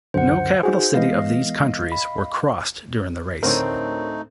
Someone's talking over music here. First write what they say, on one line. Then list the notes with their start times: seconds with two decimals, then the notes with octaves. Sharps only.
No capital city of these countries were crossed during the race.
0.14 C#2 F#2 D3 C5 F#5
0.63 D#4 F#4 G#4 C5
0.94 E3 G#3 B3 D#5 F5
1.92 B5
3.43 D2 A2 A3 C4 D#4 A#4 C#5